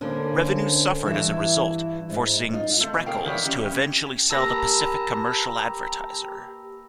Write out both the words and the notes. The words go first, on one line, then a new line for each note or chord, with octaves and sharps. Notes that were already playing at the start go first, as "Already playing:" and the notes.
Revenue suffered as a result, forcing Spreckels to eventually sell the "Pacific Commercial Advertiser".
D2 D3 A#3 C#4
G2 E3 E4 E5
G#2
D#4 F4
A3 C4 A4
B2
G#4 A#4 C#5 F5 G5
D#3 E3 B3 E4 C#5 D5
G3 C#4 G4 D#5
C#4
A#3 G4 B4 D#5 A5 A#5 E6 A#6